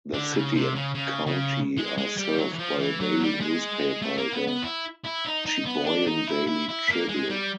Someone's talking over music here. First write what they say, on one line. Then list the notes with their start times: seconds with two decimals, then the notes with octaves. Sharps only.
The city and county are served by a daily newspaper, the "Cheboygan Daily Tribune".
0.14 D3
0.33 C#3
0.55 C3
0.75 C#3
0.95 C#3
1.26 C#3
1.78 G#3
1.98 G#3
2.17 G3
2.38 F#3
2.53 E3
2.59 F3
2.79 E3
3.00 F#3
3.21 G3
3.40 G#3
4.02 A3
4.18 A#3
4.33 B3
4.48 B3
4.63 E4
5.04 E4
5.25 D#4
5.46 D#4
5.66 B3
5.86 D4
6.07 D#4
6.28 E4
6.47 E4
6.69 E4
6.88 A#3
7.09 G#3
7.29 G3